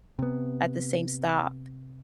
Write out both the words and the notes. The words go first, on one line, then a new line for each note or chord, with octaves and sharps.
at the same stop,
C3 B3